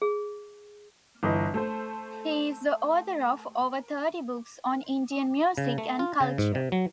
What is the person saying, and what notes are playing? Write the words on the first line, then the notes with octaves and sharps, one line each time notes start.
He is the author of over thirty books on Indian music and culture.
G#4
G1 E3 D#5
A3 A4 C5
C#3
A3
F4
C#3
G#2
C3
F#3